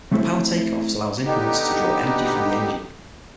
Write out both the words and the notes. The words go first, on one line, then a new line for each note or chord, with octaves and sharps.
The power take-off allows implements to draw energy from the engine.
F#3 A3 C4 E4 A4 C5
D3 B3 D#4 G4